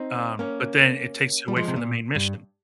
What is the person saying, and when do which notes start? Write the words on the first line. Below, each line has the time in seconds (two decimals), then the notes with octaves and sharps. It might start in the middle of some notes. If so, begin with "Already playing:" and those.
Um, but then it takes you away from the main mission.
Already playing: C4 D#4
0.39 A#3 C#4
1.48 G3
1.56 F3 G#3
1.68 C3
1.76 A#2
2.15 G2